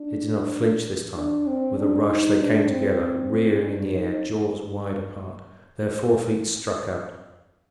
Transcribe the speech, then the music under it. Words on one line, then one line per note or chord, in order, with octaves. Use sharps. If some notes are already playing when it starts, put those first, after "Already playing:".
They did not flinch this time. With a rush they came together, rearing in the air, jaws wide apart. Their fore-feet struck out.
Already playing: D4
D4
C4
D4
D#4
D4
C4
D4
D#4